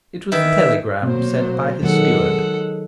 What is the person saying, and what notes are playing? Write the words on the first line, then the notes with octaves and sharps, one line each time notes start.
It was the telegram sent by his steward.
D#3 E3 E5
B2 F#3 A3 A#3 C4 C5
D#3 F#3 G#3 A4 F#5